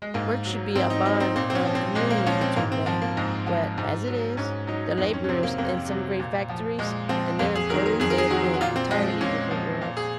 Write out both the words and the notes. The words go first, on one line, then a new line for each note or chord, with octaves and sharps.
Work should be a bond of communion between men, but as it is, the laborers in some great factories and their employers live in entirely different worlds.
G#3
G#2 A#3
F#3
G#2 C4
D#4
F#3 D#4
C4
A#2 C4
C4
C#4
F3
C4
A#2 G#3
A#3
F3 C#4
C4
G#2 A#3
C4
F3 C4
A#3
G#2 G#3
F3
G#2
F#3
G#2 C#4
F#3 D#4
F2 D#4
C#4
C#4
C3 F#3 C4
A#3
F2 A#3
C3 F#3
A#2
F3
A#2 G#3
F3 C4
F2 A#3
G#4
D#3 F#3 A#4
A#4
F2 G#4
A#4
G#4
D#3 F#3 F#4
F#4
A#2 F4
C4
F3 G#3
A#2 C#4
F3
A#2
G#4